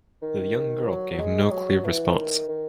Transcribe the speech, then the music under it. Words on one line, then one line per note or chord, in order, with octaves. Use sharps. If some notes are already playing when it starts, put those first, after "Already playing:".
The young girl gave no clear response.
D#3
F#3
F#3
G#3
F#3
E3
D#3
D#3